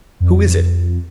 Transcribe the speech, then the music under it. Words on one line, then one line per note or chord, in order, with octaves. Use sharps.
"Who is it?"
F2